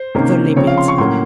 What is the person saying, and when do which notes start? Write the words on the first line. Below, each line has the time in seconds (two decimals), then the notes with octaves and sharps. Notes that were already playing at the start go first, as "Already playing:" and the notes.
The limit.
Already playing: C5
0.15 C3 D#3 A#3 C#4
0.56 C#3 F3 C4 C#5
0.67 F5
0.78 C6
0.88 C#6
0.98 A2 F#3 A#3 C#4 C6